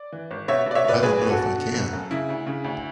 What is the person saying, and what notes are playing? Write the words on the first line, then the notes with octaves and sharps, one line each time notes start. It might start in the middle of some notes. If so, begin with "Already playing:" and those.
I don't know if I can.
Already playing: D5
E3
G#1
B2 C#5 E5
B2 D5
C#5 E5
B2 B4 D5
B1 G#4 B4
B2
F#4 A4
B2
D3
F#1
F#2
C#3 E4
D2
C#3
D2